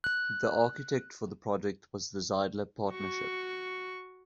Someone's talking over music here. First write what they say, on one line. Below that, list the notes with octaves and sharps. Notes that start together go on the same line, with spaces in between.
The architect for the project was the Zeidler Partnership.
F#6
F#4 C#6